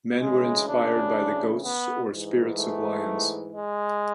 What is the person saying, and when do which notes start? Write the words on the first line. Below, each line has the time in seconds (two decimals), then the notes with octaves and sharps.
Men were inspired by the ghosts or spirits of lions.
0.20 D2 C#3 E3 G#3
0.67 D4
1.62 B3
2.10 G#2 E3
2.57 A3
3.52 G#3